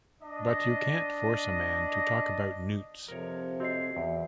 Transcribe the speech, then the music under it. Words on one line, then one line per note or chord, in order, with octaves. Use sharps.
But you can't force a man to talk about newts.
D4 D#5
F2 C3 F3 A#4 C#5
C4 F#4 C#5 D#5 C7
E2